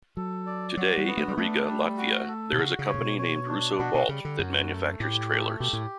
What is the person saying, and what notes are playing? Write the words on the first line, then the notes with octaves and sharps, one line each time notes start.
Today in Riga, Latvia, there is a company named Russo-Balt that manufactures trailers.
F#3 A4
D5
F#3 F#4
G3
B3
A3
G3
A3 D4
G3
F#4
A4
B2
C#3 F#4
C#3
C#5
A2
B2
C#5
D4
B2 F#4
B2
C#3 G3
D3
F#2 F#4
A3
A2 G4
A3
B2 G4
A2